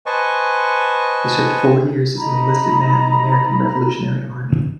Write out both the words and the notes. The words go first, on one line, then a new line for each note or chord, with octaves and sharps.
He served four years as an enlisted man in the American Revolutionary Army.
B4 C5 D#5 G#5 A5 C#6
D#4 A#5 B5